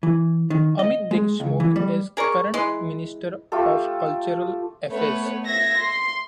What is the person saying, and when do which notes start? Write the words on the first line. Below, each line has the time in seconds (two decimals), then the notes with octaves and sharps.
Amit Deshmukh is current Minister of Cultural Affairs.
0.03 E3
0.50 D#3
0.79 D#5
1.11 G#3
1.40 C#2
1.60 E3
1.76 G3
2.17 G#4 A#4 D5 C#6
2.54 E3 G#3 C6
3.52 A3 F4 G4 A4
4.91 A3 B3 B4 C#5
5.43 E5 G#6 A#6
5.78 C6